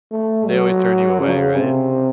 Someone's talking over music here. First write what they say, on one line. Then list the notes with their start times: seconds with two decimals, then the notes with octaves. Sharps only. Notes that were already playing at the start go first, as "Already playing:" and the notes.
They always turn you away, right?
0.11 A3
0.48 F#3
1.20 C#3
1.56 C3